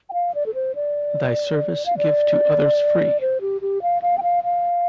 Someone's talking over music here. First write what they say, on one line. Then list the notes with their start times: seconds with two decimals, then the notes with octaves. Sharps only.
Thy service give to others free!
0.09 G5
0.13 F5
0.34 D5
0.46 A4
0.54 C5
0.75 D5
1.86 F5
1.97 D5
3.21 C5
3.41 G4
3.61 G4
3.82 F5
4.02 F5
4.18 G5
4.23 F5
4.44 F5